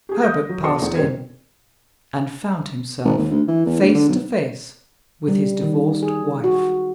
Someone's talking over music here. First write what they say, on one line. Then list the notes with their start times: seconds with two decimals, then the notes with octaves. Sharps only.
Herbert passed in--and found himself face to face with his divorced wife.
0.09 G4 G#4
0.22 D#6 G6 A#6
0.49 F#3
0.62 E1 A4 C5 A5 C6 C#7
0.82 E2
0.95 D#1 F#2 C4 A#4 G#6
3.05 G#1
3.18 D#2
3.31 D2
3.48 E3
3.66 E2
3.81 D2
3.95 D3
4.09 B1
5.28 G3
5.62 D#3
6.03 G#4
6.44 F#4